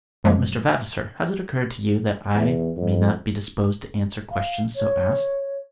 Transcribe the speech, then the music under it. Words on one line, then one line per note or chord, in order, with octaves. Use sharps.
"But, Mr. Vavasor, has it occurred to you that I may not be disposed to answer questions so asked?"
F#2 F3 F#3 G#3 A#3
E2
F2
F5
C#5